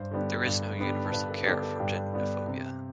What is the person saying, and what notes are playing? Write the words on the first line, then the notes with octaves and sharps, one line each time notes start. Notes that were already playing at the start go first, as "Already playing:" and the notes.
There is no universal cure for genophobia.
Already playing: G2 C5
D3 G3 B3 D4
G2
D3 G3 B3 D4
A4
G2 B4
A4
D3 G3 B3 D4 G4
A4
G2 G4
D3 G3 B3 D4
C3